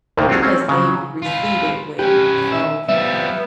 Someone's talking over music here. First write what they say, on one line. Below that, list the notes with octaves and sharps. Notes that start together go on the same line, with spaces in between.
because they receive it well. So,
C2 G2 D3 D#3 A3 A#3
C4 D4 F4 F#4 G#4
C4 C#4 G#4
C#3 F#3
F4 B4
C#4 G4 B4
E5
F3 G3 B3 E5